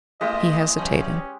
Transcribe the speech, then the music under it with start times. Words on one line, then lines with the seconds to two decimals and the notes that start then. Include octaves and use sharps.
He hesitated.
0.21 G#3 A3 E4 G4 D#5
0.77 E2 F#3 C#4 D#5